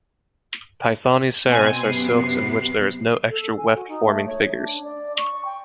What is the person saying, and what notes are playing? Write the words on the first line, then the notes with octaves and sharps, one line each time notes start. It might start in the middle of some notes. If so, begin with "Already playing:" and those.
Paithani saris are silks in which there is no extra weft forming figures.
B2 C4 G#5
F#2 C3 B3 C7
A4
G#5
F#4
D#4
A3
C#5
D4
D5
C#6
G5